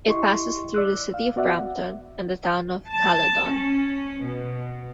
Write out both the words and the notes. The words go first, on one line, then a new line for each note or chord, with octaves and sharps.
It passes through the City of Brampton and the Town of Caledon.
E4 G4 D#5 C6 C#6
D5 E6 F#6
F5
B3 F#4 D5 E5 F#5
A5
C#4
B2